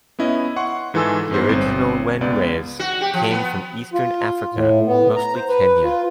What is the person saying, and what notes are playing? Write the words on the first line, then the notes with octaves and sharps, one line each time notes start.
The original whenwes came from eastern Africa, mostly Kenya.
B3 C#4 E4 D#5
F#5 C6 C#6
G#2 E3 F4 A4 G#5 E6
G#2 B3 C5
G1 C4 C5
C#2 B3 D5
F#4
G4
F3
B3
F4
A2
B3
A#5
C5
B4
F4